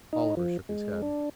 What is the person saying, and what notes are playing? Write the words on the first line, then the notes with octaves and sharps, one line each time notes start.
Oliver shook his head.
D#4
F3
G#3
D4